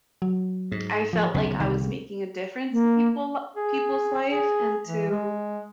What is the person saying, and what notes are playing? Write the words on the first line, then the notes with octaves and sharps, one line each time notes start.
I felt like I was making a difference in people people's life, and to
F#3
G#2
F3
B1 C#3
C2 D#3
A#3
G#4
G#4
E3
G#3